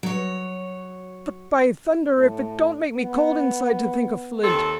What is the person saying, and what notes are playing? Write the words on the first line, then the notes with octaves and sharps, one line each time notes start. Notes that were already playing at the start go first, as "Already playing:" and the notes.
But, by thunder! If it don't make me cold inside to think of Flint.
F#3 C#5
A2
B3
D#2 C4 A4